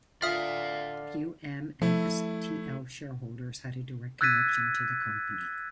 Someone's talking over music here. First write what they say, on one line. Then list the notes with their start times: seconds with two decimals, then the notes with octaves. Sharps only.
Few M and StL shareholders had a direct connection to the company.
0.22 D3 F4 D5 E5 F5 D#6
1.82 F3 A3 E4
4.21 E6 F#6 G#6 A6 B6 D#7